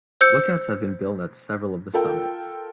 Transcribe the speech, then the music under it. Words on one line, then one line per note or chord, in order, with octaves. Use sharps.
Lookouts have been built at several of the summits.
C5 E6 G6 C#7
F4 A4 A#4 G5